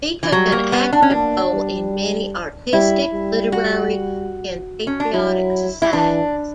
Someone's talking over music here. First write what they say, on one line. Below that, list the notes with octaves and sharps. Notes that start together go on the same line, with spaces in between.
He took an active role in many artistic, literary and patriotic societies.
E3
F#3 G3
A#3
B3
D4
C#4
A#3 D4
G3
G3 E4
G3
F#4
C#4
D4
F#3 E4
E4
E3 D4